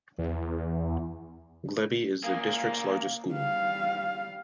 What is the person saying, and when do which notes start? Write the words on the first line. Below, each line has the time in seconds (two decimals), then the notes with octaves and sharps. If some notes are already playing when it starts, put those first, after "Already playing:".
Glebe is the district's largest school.
0.18 E2
2.24 A#3 G#4
3.33 G3 F5